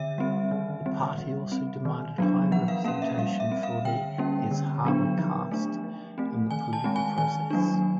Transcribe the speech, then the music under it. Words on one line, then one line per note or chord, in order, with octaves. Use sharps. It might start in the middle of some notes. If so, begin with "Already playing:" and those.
The party also demanded higher representation for the Ezhava caste in the political process.
Already playing: D3 E5
G3 C4
D#3
G3 C4
G3
C4
D#3
F#3 B3 D4
F3 F#5
F5
A#3 C#4 F5
E5
G3 F5
E5
C4
F5
D3 G5
G3 A#3 C#4
D3
F#3 B3 D4
F3
A3 D4
F3
A3 C4
D#3 G#5
A5
G#3 C4
G#5
D#3 G#5
F#3 A#3 D4